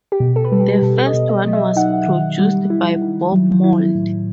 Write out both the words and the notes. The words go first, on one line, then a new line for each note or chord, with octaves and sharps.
The first one was produced by Bob Mould.
G4
B2
A4
B4
G3 A4
G4
G4
B2 A4
D#5
B2
D#5
F#3
E5
D#4 F#5
D#3
G3
E4
D#3
F#3
E4
A2